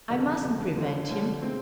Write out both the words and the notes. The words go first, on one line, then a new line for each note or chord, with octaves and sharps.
I mustn't prevent him.
G1 F2 C#3 F3
G1 F2 C#3 F3
D2 D3 F3 A3 C#4
D2 D3 F3 A3 C#4
B2 G#3 C4